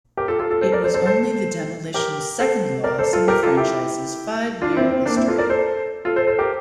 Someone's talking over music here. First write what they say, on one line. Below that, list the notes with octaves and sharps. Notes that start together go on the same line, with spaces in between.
It was only the Demolition's second loss in the franchise's five-year history.
G4 A#4
F4 A4
F4 A4
F4 A4
A4 C5
A#4 D5
A4 C5
A4 C5
A4 C5
G4 A#4
A4 C5
A#4 D5
A4 C5
F4 A4
G4 A#4
F4 A4
E4 G4
D4 F4
C4 E4
C4
A#3 D4
C4 E4
F4 A4
A#4 D5
A4 C5
F4 A4
A4 C5
A4 C5
G4 A#4